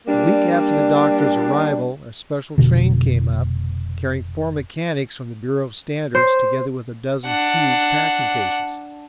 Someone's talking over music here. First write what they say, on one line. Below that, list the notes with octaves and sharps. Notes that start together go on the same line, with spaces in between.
A week after the doctor's arrival, a special train came up, carrying four mechanics from the Bureau of Standards, together with a dozen huge packing cases.
G3 A#3 D4
F1 B2 D3
C5
D4 F#5